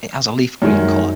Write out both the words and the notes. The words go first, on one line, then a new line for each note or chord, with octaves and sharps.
It has a leaf green color.
F#2 D#3 G#3